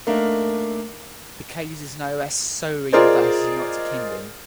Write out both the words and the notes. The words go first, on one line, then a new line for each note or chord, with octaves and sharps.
The case is known as "Soering versus United Kingdom".
A3 A#3 D4 D#4 A#4 F5
F4 G#4 A#4 C5 D5 D#5